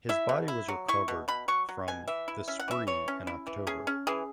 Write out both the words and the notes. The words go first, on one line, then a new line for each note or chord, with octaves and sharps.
His body was recovered from the Spree in October.
E4 E5
B2
E4
F#3
E4 C#6
B2
B2 B5
F#3 C#6
F#3
B2 G#5
E3 E5
E4
C#4 E5
F#5
E3 E5
E3 C#5
C#4
E4
E3
C#4 G#4
C#4
E3 G#4